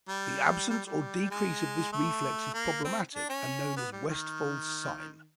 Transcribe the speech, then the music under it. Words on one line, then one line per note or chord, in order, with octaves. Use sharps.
The absence or decrease of this reflex is problematic, and known as Westphal's sign.
G3
G3
G3
G#3
A3
A#3
C4
D4
C#4
B3
G3
D#3